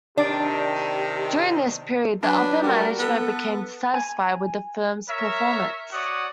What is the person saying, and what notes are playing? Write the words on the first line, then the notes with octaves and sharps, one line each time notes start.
During this period, the upper management became dissatisfied with the firm's performance.
C3 D#3 D4 G4 D5
F#3 D4 B4
G3 F#4 A#4
B3 A4
G#5
A#4 C#5 E5
F#4 C#5 D5 F#5 D#6